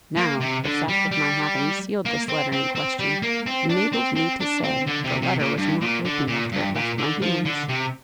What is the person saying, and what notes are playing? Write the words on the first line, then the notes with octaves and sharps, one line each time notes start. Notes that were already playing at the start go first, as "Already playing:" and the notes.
But now, the fact of my having sealed this letter in question, enables me to say that the letter was not opened after it left my hands.
A#3
C3
D3
G3
G3
A#3
C4
C4
C4
G3
A#3
C4
D4
C4
C4
D4
C4
D3
C3
C3
A#2
G2
A#2
D3
A#2
G2
A#2
D3
F3
D3
C3